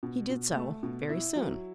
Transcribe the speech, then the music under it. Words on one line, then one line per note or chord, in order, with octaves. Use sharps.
He did so, very soon.
B2
B2
A3
B2
E4
F#3